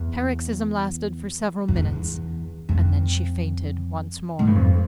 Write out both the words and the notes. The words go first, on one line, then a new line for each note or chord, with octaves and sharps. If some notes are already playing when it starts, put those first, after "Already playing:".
The paroxysm lasted for several minutes and then she fainted once more.
Already playing: E2
F2
E2
F2
A2
G2
F2